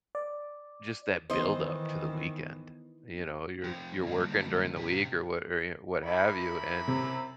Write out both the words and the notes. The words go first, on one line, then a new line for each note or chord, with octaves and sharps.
just that buildup to the weekend. You know, you're you're working during the week or what or y wh what have you, and
D5
D#3 E3 B3 D#4 E4 C5 D#5
C3 F3 C4 G5
D3 F#3 G3 A#3 D4 D#4
C#3 G4
F#2 E4 B5
C3